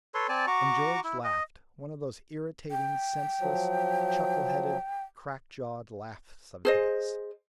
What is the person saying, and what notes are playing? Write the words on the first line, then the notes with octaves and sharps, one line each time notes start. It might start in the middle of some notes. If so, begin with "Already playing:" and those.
And George laughed--one of those irritating, senseless, chuckle-headed, crack-jawed laughs of his.
A4 B4 C#5 C6
C4 D5 G#5 A5
F#4 A#5 C#6 D6
E4
D#5
G5
F3 F#3
G#4 C5 D#5